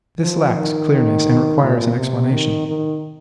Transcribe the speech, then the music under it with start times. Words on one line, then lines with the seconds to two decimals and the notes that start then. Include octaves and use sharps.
This lacks clearness, and requires an explanation.
0.21 F3
0.55 D#3
0.92 D#3
1.61 A#2
1.97 C3
2.32 D#3
2.67 D#3